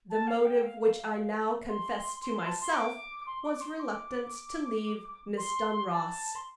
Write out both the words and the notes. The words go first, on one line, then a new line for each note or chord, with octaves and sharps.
The motive which I now confessed to myself was reluctance to leave Miss Dunross.
A5
F5
G5
F5
F5
F5
F5
A5
C6
C6
C6
A5
C6
D6
C6
D6
C6
D6
C6
A5
C6